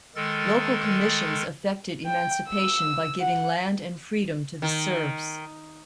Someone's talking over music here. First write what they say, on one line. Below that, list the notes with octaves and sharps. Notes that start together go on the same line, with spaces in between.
Local commissions effected emancipation by giving land and freedom to the serfs.
D#3 G#3 A4 A#4 A6
G5
E6
F#5
D#3